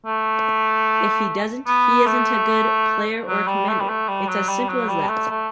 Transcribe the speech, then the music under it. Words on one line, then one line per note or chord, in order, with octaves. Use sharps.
If he doesn't, he isn't a good player or commander...It's as simple as that.
A3
B3
A3
F#3
G3
A3
G3
A3
G3
F#3
G3
F#3
G3
A3
A3